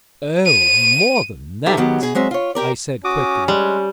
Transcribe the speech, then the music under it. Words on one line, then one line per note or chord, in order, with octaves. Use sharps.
"Oh, more than that," I said quickly.
D#7
D#4 G4 A4 B4 E5 F5
D#3 F#3 B3 G4 G#4
B2 G#4
F#3 G#3 C4 E5
F4 C#5
G4 A#4 D5
C#4 F#4 D6 D#6
G3 G#3